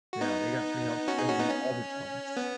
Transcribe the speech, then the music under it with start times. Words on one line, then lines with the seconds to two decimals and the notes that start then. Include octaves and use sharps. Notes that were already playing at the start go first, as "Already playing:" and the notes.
Yeah, they got free healthcare, and they have all the jobs.
0.13 F#4
0.21 B3 D#4
1.08 C#4 F#4
1.18 D#4 G#4
1.29 C#4 F#4
1.40 B3 D#4
1.51 C#4
2.37 B3